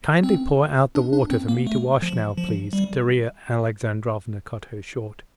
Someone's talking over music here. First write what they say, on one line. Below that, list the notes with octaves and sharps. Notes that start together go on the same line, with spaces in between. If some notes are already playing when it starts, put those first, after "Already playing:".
"Kindly pour out the water for me to wash now, please," Darya Alexandrovna cut her short.
C4
D4
D4
C4
A#3
A3
F3
F3
G3